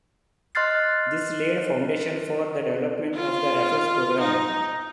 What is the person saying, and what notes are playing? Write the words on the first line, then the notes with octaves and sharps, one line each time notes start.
This laid the foundation for the development of the Raffles Programme.
D#5 C6 F6 F#6 A6 C7
F4
D#4